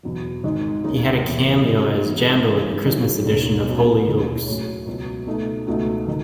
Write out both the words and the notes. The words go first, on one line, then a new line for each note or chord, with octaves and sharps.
He had a cameo as Jambo in a Christmas edition of "Hollyoaks".
E2 B2 F#3
G#1 G#2 D#3 G#3 D#4
D#2 C#3 G#3 D#4
E1 E2 C#3 G#3 B3
D#3 G#3 C#4 F#4
G#2 E3 B3 D#4
G#2 E3 G#3 C#4 E4
D#3 F#3 C#4 E4
E1 D#2 C#3
C#2 B2 F#3 C#4
E1 D#2 D#3 G#3 C#4
A2 F#3 C#4 G#4 C#5
C#2 B2 F#3
B2 A3 D#4 A4
C#2 B2 A3 D#4 F#4
D#3